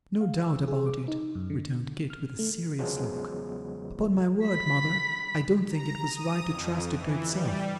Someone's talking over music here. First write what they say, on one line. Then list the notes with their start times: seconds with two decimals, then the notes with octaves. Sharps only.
'No doubt about it,' returned Kit, with a serious look; 'upon my word, mother, I don't think it was right to trust it to itself.
0.21 F5
0.44 E6
0.68 G#4
0.86 D6
1.08 D#4
1.35 F#2
1.50 D3
2.10 F6
2.39 A3
2.78 E2 C#3 F3 F#3 G#3 B3
4.45 B5 B6
5.70 A#5
6.10 D#6
6.47 F2
6.97 E3
7.29 G3